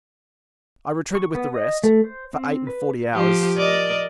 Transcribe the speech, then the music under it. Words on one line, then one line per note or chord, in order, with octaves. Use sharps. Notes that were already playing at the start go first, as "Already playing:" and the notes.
I retreated with the rest, for eight and forty hours.
C#6
B3
D#5
A3
C5
C4
B4
F3 G4
A#4 D5 D#5